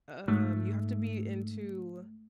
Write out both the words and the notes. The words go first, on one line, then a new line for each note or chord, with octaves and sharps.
um, you have to be into
G#2 A3